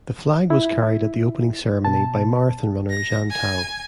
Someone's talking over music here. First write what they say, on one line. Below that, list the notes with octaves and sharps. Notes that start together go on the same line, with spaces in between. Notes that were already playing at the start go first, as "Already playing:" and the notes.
The flag was carried at the opening ceremony by marathon runner Jan Tau.
E4
B2 A5
A#6
G#5